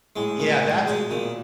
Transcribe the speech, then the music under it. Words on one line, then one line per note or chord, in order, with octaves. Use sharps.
Yeah, that's, eh
A2 G#3
A2 D#3
A#2
G#2
B2
G#3
A#2 D#3